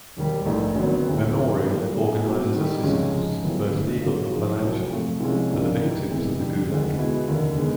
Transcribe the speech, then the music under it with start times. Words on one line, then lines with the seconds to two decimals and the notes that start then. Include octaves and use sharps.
Memorial organizes assistance, both legal and financial, for the victims of the Gulag.
0.17 E1 D#2 D#3 G3
0.45 A#1 G#2 E3 A3
0.76 G#1 F#2 D3 F#3 B3
1.05 D2 C3 E3 G#3 C4
1.36 G#2 F3 A#3 D#4
1.64 F#2 D#3 G3 A#3
1.94 A#2 G3 B3 D#4 G#4
2.24 B2 F#3 A3 C4
2.54 G#2 D#3 G3
2.83 C#2 C3 F3 G#3 C#4
3.13 G#2 F3 G#3
3.42 F#2 C#3 E3 G3 B3
3.72 G1 G2 E3 A3
4.02 E2 C#3 F#3 A#3
4.31 G#2 F3 G#3
4.62 C2 A#2 F#3
4.90 C3 F3 A3
5.20 C2 C3 F3 G#3 C#4
5.50 C#2 C3 F3 A#3 D4
5.79 G#2 E3 G3
6.09 C2 C3 E3 G#3 B3
6.39 F2 D3 G3
6.68 D2 C3 D#3 G#3
6.98 B2 G#3 B3 E4
7.28 F1 D#2 D3
7.57 D#3 G#3 B3 D#4